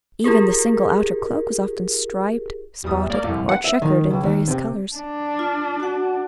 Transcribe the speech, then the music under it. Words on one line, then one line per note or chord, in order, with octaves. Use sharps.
Even the single outer cloak was often striped, spotted, or chequered in various colours.
F4 G4 G#4 A#4
E2 G3 D#6
A#3 D5
C2 F2
F#5
E5
D#3
C#2
D#2
C3
D4
F4
F#4 F#5